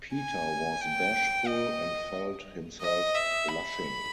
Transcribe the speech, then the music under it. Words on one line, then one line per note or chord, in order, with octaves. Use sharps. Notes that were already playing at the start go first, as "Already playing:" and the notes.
Peter was bashful and felt himself blushing.
G#5
G5
D#5
D#5
E5
B5